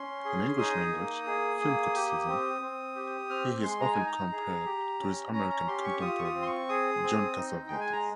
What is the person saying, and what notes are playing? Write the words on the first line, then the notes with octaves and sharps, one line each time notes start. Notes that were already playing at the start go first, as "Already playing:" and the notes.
In English-language film criticism, he is often compared to his American contemporary John Cassavetes.
Already playing: C#4 C6
G#4
D#4 D#6
A#3
G#4
A#3
G4
C4
C4
G4
C4 F6
G#3 C6
A#5
D#4 G#5
A#5
G#4
G4
C#4
C#4 A#5
A#5
G4 C6
C#6
F4 D#6
C#6
D#6
C4
C6
C#6
G#4 D#6
C4
D#4
G#3 G5
G#5
A#5